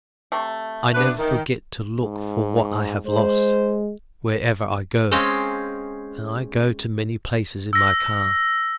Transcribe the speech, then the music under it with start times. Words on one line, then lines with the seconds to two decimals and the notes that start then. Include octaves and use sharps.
I never forget to look for what I have lost, wherever I go, and I go to many places in my car.
0.32 C3 A3
0.94 B3 D4 B4
1.19 D#3
2.02 G#2
3.07 G#3 C5
5.11 G#3 C4 C#4 D#5 F5 G5
7.73 E6 A#6